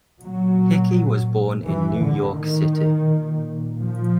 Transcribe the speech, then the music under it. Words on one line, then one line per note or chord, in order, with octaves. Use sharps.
Hickey was born in New York City.
A#2 F#3
A2 E3
D3
D#3
A#2
F3